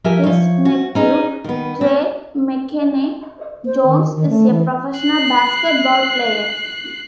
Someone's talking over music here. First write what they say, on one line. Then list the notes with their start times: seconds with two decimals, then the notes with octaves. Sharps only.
His nephew, Trey McKinney-Jones, is a professional basketball player.
0.04 F3 G4 A#4 E5 G#5
0.23 F3 C#5
0.65 F#4
0.95 C#4 D#4 G#4
1.44 D#3 B3
1.81 C4
3.66 C5
3.86 D#3
4.16 D#3
4.29 A3
4.50 E3
4.98 F#6 C7